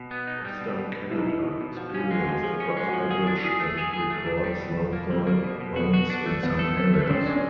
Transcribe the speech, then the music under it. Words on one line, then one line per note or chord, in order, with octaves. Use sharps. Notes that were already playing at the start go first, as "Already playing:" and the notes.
Western Canada experienced above average and record snowfall amounts in some areas.
Already playing: B2
B3
D#4
G3
B2
B2
B2
B2 E4
D#4
B2 E4
B2
B2
F3 F#4
C#4
F4
G#3
F#4
F3
F3 G#4
C#4
G#3
F#4
F3
F#4 G#4
D4
E4 G#4
A3
G#4
G#4
A3
D4
G3
B2
B2
A#3
G3 C4
A#3
B2
B2
B3 F#4
F#4
D4
A3
A3 B3
A4
A3 C4
A3
C4 C#4
G#3 D4
C#4